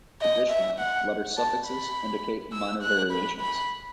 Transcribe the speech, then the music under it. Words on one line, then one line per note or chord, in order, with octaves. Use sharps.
Additionally, letter suffixes indicate minor variations.
D#5
E5
F#5
A5
B5
E6
F#6
B5
B5